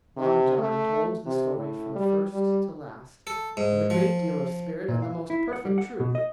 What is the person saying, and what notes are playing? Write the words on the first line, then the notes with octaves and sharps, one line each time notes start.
Long John told the story from first to last, with a great deal of spirit and the most perfect truth.
C3
A3
C3
A2
G3
G3
A4
G#2
F3
A#2
F5
E4
F#5
G3
F#5
B2
D#5